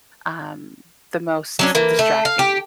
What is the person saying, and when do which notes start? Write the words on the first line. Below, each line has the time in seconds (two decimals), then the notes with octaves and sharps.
um, the most distracting.
1.59 F#3 C#4 D4
1.75 E3 A#3
1.99 A3
2.25 F5
2.39 G4